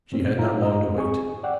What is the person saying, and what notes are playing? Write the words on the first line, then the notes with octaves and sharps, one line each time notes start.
She had not long to wait.
B2 A3 C4 C#4
A#2 D#4 F4 A#5
D#5
C4 G#4 C#6
D5 F#5 G5